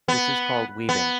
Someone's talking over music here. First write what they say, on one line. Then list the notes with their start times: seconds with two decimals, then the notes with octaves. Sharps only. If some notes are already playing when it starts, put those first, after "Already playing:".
This is called Weaving.
0.08 B3
0.89 B3